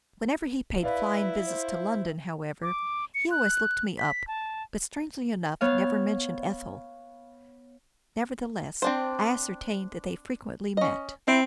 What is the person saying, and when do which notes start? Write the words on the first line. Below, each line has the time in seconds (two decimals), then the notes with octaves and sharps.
Whenever he paid flying visits to London, however, he always looked me up, but, strangely enough, never mentioned Ethel. Nevertheless, I ascertained that they frequently met.
0.83 E4 B4 D5 F5
1.46 C5
2.62 D6
3.14 C#7
3.31 F#6
3.98 B6
4.28 A5
5.61 B3 C#5 F5
8.82 C4 D4 C5
10.77 C#4 D#5
11.28 C4 E4